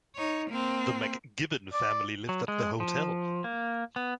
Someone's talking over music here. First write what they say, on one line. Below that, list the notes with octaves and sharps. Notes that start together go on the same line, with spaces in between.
The McGibbon family lived at the hotel.
D#4 C#5
A#3 C4
D5
F#3
G#3
F3
A#3
B3